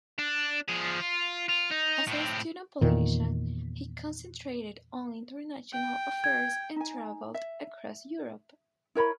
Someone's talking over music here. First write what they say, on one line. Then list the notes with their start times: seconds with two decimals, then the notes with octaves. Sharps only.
As a student politician he concentrated on international affairs and travelled across Europe.
0.19 D4
0.68 F3 G#4
1.00 F4
1.49 F4
1.71 D#4
2.07 A2 C4
2.81 E2 A#2 D#3
5.73 G5
6.24 G#6
6.76 D#4 G#5
7.34 E5
8.95 E4 A#4 C#5 B5